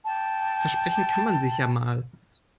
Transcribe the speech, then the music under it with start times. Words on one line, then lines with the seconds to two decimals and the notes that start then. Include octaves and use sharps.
Versprechen kann man sich ja mal.
0.06 G5 A5